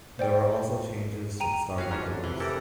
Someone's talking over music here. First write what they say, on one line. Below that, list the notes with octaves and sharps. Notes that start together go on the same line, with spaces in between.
There were also changes to the Stargate device.
C5 D5 G5
G5 A#5 D#7
C#4 F#4 F5
G#2 C#4 D4
A1 F2
C3 E3
E3 G4 A4 A#4